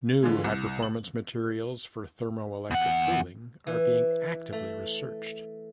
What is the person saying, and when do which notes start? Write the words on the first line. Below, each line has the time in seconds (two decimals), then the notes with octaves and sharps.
New high-performance materials for thermoelectric cooling are being actively researched.
0.23 D3 E3 F3 G#3
0.44 C2
0.82 F#7
2.71 E2 F#5
3.67 E3
4.53 A3